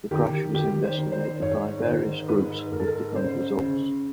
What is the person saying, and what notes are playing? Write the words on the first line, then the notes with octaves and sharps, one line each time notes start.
The crash was investigated by various groups, with different results.
D#3 G4
D#3 G4
C5
D#3
C5
G#2 C#5
D#3 C5
G#2 B4
G#2 A#4
A4
A#4
C#3 C5
C#3